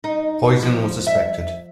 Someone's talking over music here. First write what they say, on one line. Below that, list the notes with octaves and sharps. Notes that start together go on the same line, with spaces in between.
Poisoning was suspected.
D#4
F3
E5